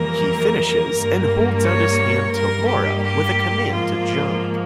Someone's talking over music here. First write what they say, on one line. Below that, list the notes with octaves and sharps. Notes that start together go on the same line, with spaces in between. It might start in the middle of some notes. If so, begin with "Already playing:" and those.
He finishes and holds out his hand to Laura with a command to jump.
Already playing: F2 E3 G3 A#3 A#4
G2 G3 A#3
C#5
G2 G3 A#3 A#4
G4
G4
G#2 F3 A#3 F4